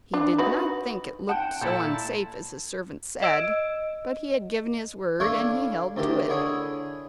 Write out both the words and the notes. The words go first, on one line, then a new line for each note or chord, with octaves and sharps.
He did not think it looked so unsafe as his servant said; but he had given his word and he held to it.
D4
D#4 F#4 B4
F#5 G5 A5
A#2 E4 A4 A5 G6
D#5 E6 D7
D4 E4 F4 A4 C#5 D5
D2 D#3 G4
D3 E4 G#4 C#5